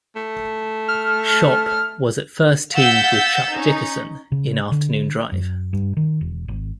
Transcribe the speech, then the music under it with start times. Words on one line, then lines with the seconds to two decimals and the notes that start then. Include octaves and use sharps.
Schopp was at first teamed with Chuck Dickerson in afternoon drive.
0.16 A3
0.88 F6
2.73 F5 F#5 E6 G6 A6 B6
3.50 C#4 D#4
4.32 C#3
4.72 D3
5.32 F#2
5.73 G2
5.97 D#3
6.21 E1
6.48 G#1